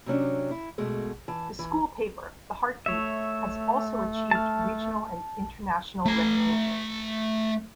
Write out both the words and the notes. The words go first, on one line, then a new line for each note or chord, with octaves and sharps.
The school paper, The Heart Beat, has also achieved regional and international recognition.
C3 F#3 C#4 D4
E4
B2 G#3 A3
E3 A5
E3
A3 C#5 E5
A5 F6
A3 A#5